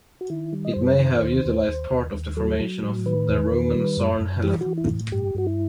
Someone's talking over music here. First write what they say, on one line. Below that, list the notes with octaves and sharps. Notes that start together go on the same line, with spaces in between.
It may have utilised part of the formation of the Roman Sarn Helen.
F#4
D#3 E4
G3
D#5
F#2 C5
B4
C5
D#3
D#2
D#2
D#2
D#2
D#2
F#3 A4
F#3
A2
D#3 B4
E2
D#3
G3
F#2
F#2
E3 G4
F#4
E3
E4
A2
G2 G4
G2 F#4
E4